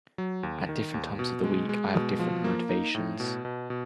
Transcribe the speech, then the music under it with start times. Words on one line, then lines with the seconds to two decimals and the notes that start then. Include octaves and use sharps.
At different times of the week I have different motivations.
0.18 F#3
0.43 D#2
0.69 D#3
0.94 D#2
1.19 B2
1.44 G#3
1.69 G#3
1.94 B2
2.19 F3
2.44 A#3
2.69 D#4
2.95 A2
3.20 B2
3.45 B2
3.70 B2